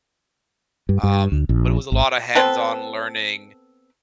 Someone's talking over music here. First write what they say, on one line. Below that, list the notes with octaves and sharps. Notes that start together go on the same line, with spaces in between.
Um, but it was a lot of hands-on learning.
G2
G2
D2
A#1
G#1
B3 C4 A4 B4